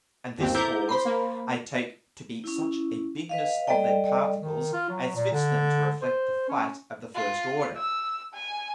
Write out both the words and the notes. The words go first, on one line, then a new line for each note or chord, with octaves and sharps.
And this Cause I take to be such a Bigness of their Particles as fits them to reflect the white of the first order.
G1 D#2 C4
E4 A4 C5 A#5 D6 G6
C5 B5 C6
A#3
C#4 E4
B4 D#5 F5
G3 A4 D5 D#5 G5
D#3
F4
F#3
A#2
D3
C5
C#4
F4
E6
G#5